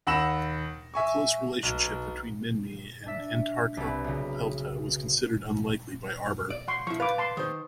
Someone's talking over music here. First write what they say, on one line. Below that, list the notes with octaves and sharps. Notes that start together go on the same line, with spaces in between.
A close relationship between "Minmi" and "Antarctopelta" was considered unlikely by Arbour.
D#2 F#5 B5 E6 A#6 E7
E5 G#5 C#6
B1
D4 E5
C2 B3
B1 C#3
D5
F#5 C6 C#6
F3 E4 C#6
B4 F5 D6
A5 C6
D#3 C5